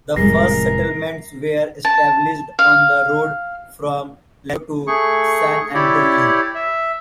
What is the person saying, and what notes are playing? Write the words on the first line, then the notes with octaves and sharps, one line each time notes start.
The first settlements were established on the road from Laredo to San Antonio.
F1 F2 A2 G3 G#3 A#4 A#6 C7
A5
F5
A3 G#4 C#6
E4 G4 C#5 D5
E5